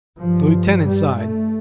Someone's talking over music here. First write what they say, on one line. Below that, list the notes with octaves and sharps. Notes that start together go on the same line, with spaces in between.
The Lieutenant sighed.
G2 F3
G3
A3